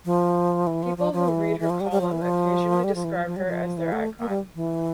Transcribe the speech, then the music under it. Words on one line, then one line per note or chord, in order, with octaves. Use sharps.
People who read her column occasionally describe her as their icon.
F3
E3
F3
F3
F3
E3
E3
F3
G3
G3
F3
E3
F3
G3
F3
E3
F3
F3
G3
F3
E3
A3
A#3
G3
E3